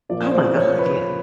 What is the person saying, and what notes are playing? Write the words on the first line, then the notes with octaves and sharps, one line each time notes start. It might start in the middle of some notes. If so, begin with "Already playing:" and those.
Oh my god, yes.
A#2 F3 A#3 D5
C5
C#5
B4